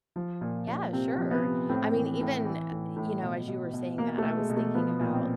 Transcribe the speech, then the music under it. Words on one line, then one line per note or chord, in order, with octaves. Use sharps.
Yeah, sure. I mean, even, u uh, you know, as you were saying that I was thinking about
F3
A#2
A#2
C3 C4
F3
B3
C3
A2 C4
E3
A2
E3
A2
A2
B2
B2
B2
B2 A#3
A3
B2
G#3
B2
A3
F3 B3
A#2
C4